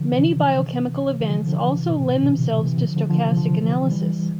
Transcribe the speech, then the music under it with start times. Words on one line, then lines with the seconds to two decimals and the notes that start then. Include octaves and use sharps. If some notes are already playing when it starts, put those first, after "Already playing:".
Many biochemical events also lend themselves to stochastic analysis.
Already playing: D3 F3
0.11 C3 E3
1.20 D3 F3
1.47 D3 F3
1.74 C3 E3
1.87 A2 C3
2.02 B2
2.15 B2 D3
2.29 C3 E3
2.47 C3 E3
2.65 C3 E3
2.82 D3 F3
2.96 D3 F3
3.10 D3 F3
3.24 C3 E3
3.37 D3 F3
3.92 E3 G3